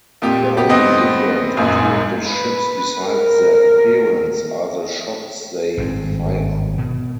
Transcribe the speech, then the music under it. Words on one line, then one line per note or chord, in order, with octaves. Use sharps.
The only difference between the ships besides their appearance are the shots they fire.
F2 A#2 G4
F#3 B3 G4
G1 B3 C4 D#5
G#1 F#2 A#2
B4
A#4
G#1 G2 C4
B2